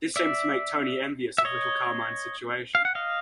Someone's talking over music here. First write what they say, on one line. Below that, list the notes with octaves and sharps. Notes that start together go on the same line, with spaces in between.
This seems to make Tony envious of Little Carmine's situation.
D5 E5
E5
C#5 D#5
F5
F#5
D#5 F5